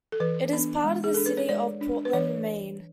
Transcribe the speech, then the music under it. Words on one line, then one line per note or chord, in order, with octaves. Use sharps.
It is part of the city of Portland, Maine.
A4
E3 B4
B3 D4
G#3
G#4
D4 A4
B4
C#5
G#3 D5
D4
B4
E3 C#5